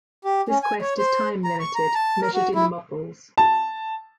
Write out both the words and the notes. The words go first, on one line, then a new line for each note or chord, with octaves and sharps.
This quest is time-limited, measured in 'mobuls'.
G4
C#4
G#5
C#5
C5
A#5
C#6
A#5
A5
A#4
F#4
E4
A5